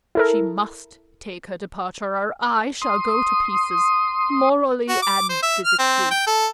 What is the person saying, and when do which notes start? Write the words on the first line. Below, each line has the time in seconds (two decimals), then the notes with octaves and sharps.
She must take her departure, or I shall go to pieces, morally and physically.
0.15 E4 A4 A#4
2.82 C6 D#6
4.89 F#4
5.02 D6
5.29 C5
5.43 E5
5.65 F6
5.79 C4
6.11 G5
6.27 A4